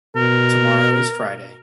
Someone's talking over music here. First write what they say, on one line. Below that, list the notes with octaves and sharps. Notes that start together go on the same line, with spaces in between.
Tomorrow is Friday.
B2 A#4